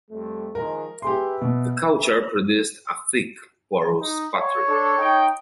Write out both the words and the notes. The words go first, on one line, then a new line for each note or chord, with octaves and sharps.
The culture produced a thick, porous pottery.
F2 G3 A3
D#3 F3 G#3 A#4
G4 G#4 B4 E5 C6
B2
D#4
C#5
D4 A4
D#4 G5